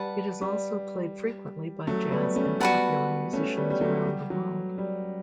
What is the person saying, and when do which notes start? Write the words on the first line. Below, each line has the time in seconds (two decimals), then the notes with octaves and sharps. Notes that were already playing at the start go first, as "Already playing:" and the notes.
It is also played frequently by jazz and popular musicians around the world.
Already playing: G3 B4 F#5 A5
0.42 G3
1.87 F#3 A3
2.11 G3 B3
2.36 A3 C#4
2.60 G3 B3 F#4 B4 F#5 A5
3.33 A3 C#4
3.57 G3 B3
3.70 G3
3.81 F#3 A3
4.05 G3
4.30 F#3
4.78 G3